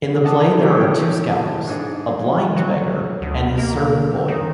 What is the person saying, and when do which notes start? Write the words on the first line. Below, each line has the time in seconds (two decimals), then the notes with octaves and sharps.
In the play there are two scoundrels, a "blind" beggar and his servant boy.
0.24 D#5 F#5 A5 D6 D#6
0.40 D#4 E4 A4 G#5 A#5
0.61 A#2 F#3 G#3 C#4 G4
0.79 E3 C#4 D#4 A4 G5
1.27 A2
1.67 G#2 D4 G#4 D#5
2.56 F#3
3.22 D2
3.58 A#3
4.28 D#3